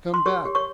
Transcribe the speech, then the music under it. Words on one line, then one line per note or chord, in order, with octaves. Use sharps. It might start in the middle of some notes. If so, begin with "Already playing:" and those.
Come back!
C6
G4 C#5 C#6
G4
C#5 C#6